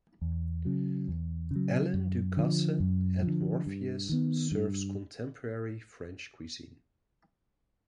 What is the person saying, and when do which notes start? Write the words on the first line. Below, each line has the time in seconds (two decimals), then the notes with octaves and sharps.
Alain Ducasse at Morpheus serves contemporary French cuisine.
0.21 E2
0.65 C#3 F#3
1.08 E2
1.51 C#3 F#3
1.94 F#2
2.37 D3 F3
2.80 F#2
3.23 D3 F3
3.66 G2
4.09 D#3 G#3 B3
4.52 G2